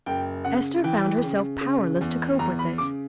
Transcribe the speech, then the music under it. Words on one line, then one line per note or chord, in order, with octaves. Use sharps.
Esther found herself powerless to cope with it.
F#1 G5
C#3 F#5
E3 G5
C#3
C#3
E2
E2 A#5
B5
C#3 D6